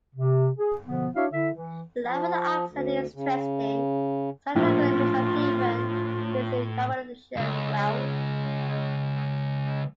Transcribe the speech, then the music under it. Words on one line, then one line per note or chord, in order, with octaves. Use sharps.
The Laugharne accent is interesting, sounding like a mix of Devon with Carmarthenshire Welsh.
C3
G#4
B2 D3 F3 B3
D4 E4 F#4 C#5 E5 F5
D3 E4 E5
E3
F3
D2
C#3
A#1 A2 F4
C#2 F#2